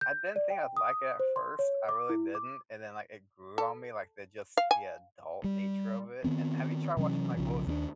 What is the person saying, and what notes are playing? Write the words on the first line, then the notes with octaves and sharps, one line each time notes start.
I didn't think I'd like it at first. I really didn't, and then, like, it grew on me, like, the just the adult nature of it. Eh, have you tried watching, like what was it?
G6
D5
G5
D#6
C5
C6
C#5
D6
E4
D6
A4
F5
G#5
G3
D#3 B3 C4
C3 E3 F#3 C#4
B1 C#3 F3
D#2 B3 D4